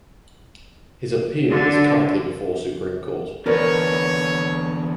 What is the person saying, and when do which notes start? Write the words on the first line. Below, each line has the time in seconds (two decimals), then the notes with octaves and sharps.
His appeal is currently before Supreme Court.
1.49 D3
3.46 E2 D3 F#4 A#4 B4 C#5 D5